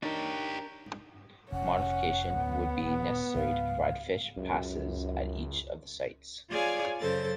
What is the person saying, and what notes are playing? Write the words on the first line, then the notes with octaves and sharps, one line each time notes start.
Modification would be necessary to provide fish passes at each of the sites.
D4 D#4 G4 A#4 C#5
F1 C#4 F#5
D2 B3
D#1 G2
C#2 G#2 F#3 F5
C#2 F#2
F4 G#4 C#5 D5 F5 G#5
F#2 C#3 A4 C5 A6